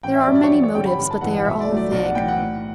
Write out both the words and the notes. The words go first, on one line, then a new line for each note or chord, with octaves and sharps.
There are many motives, but they are all vague.
A1 G5
E5
D5
G2 F#3
D5
C#5
E2 D5
C#5
D3 G3 C#4 G5
B5
G1 B5
A5
G2 E3 F#5
F#5
B1 E5
D5
A2 F#3 A3
D5
B1 D5
F#5
A2 E3 G5
F#5
A2